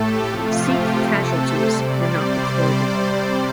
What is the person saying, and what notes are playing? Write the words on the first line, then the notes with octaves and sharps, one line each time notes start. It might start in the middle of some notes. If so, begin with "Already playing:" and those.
Sikh casualties were not recorded.
Already playing: A2 A3 G4 A4
C3 F3 A3 F4
G4
C3 A3 A4
C5
C3 G3 D5
C5